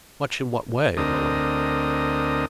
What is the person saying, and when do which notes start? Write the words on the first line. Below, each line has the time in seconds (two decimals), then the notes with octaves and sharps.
"Much in what way, Lily?"
0.97 D2 C4 D4 A#4 D#5 D#6